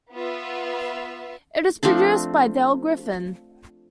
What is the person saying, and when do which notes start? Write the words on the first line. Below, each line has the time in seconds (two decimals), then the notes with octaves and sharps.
It is produced by Dale Griffin.
0.11 B3 F4 E5
1.83 F3 A3 C4 D4